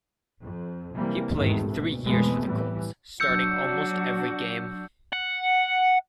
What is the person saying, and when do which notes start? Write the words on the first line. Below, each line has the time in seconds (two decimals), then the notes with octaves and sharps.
He played three years for the Colts, starting almost every game.
0.42 F2
0.95 C3 E3 G3 A#3
1.34 G#1 E2 D#3 A3
1.66 D2 B2
2.05 F2 B2 E3 G#3 A3 B3
2.43 A2 E3 G3
3.20 F#3 D4 F#4 E6 G6 C#7
5.13 F#5